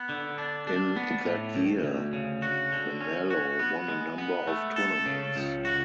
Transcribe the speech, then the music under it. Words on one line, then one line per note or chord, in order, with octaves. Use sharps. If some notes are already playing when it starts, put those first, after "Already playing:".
In that year, Manalo won a number of tournaments.
Already playing: B3
D3
D4
D4
B3
A2
D2
D2
C#3
F#4
D3
C#4
F#4
B3
G#3
B3
A3
A4
C#3
C#2
F#4